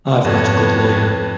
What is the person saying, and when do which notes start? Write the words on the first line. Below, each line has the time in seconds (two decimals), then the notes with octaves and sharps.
I've got a good lawyer.
0.25 F2 G#2 B3 A4 C#5 A5 F#6